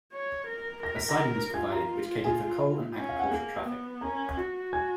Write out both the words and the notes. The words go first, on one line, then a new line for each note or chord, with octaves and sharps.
A siding was provided which catered for coal and agricultural traffic.
C#5
A#4
A#4 A#6
B6
A#5 A#6
A#4
F4 G#5 G#6
A#4 A#5
G#4 G#5
C#4
F5
F#5
A#3 G#4 G#5
B3
C#4 A#4 A#5
F#4
G#5 G#6